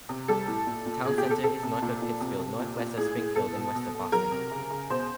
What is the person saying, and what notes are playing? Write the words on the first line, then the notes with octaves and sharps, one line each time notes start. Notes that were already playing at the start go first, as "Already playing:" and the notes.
The town center is north of Pittsfield, northwest of Springfield and west of Boston.
C3
G3 A4
A2
A#2
A#2
B2 G#4
G4
B2
A4
C3 A4
C3
A#2
A#2
C3
C3
A#2
A#2
A2 G#4
A2
B2 A4
B2
B2
B2
F#3 A#4
C3
C#3
C#3
B2 C5